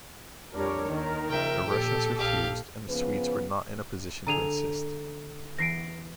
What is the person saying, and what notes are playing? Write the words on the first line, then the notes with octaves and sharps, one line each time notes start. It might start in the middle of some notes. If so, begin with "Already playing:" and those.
The Russians refused, and the Swedes were not in a position to insist.
F2 G3 D4 A#4 C#5
D#2 D#3 A#4
C#3 F3 E5 G5
A#2 G4 A4
A#1 G4 F5
C#3 F3 B3 B4
D3 G#4 A#5 D#7 F7
E2 A#6 C7 D7